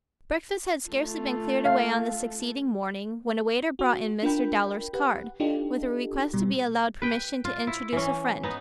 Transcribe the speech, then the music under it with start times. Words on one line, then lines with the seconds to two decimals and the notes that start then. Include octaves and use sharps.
Breakfast had scarcely been cleared away on the succeeding morning, when a waiter brought in Mr. Dowler's card, with a request to be allowed permission to introduce a friend.
0.88 A3 F4
1.65 F5
3.79 F#4
4.22 D4 F4 A#4 G5 B5
4.93 G4 B4 F#5
5.40 D4 D#4 F4 G4 A4
6.33 B2 G3
7.02 B4 G5
7.45 F4
7.67 E4
7.93 E3 C#4
8.43 B3 D#4